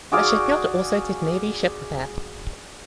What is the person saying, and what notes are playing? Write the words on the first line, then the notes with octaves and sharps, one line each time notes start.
The shipyard also did Navy ship repair.
F#4 G#4 D5 F5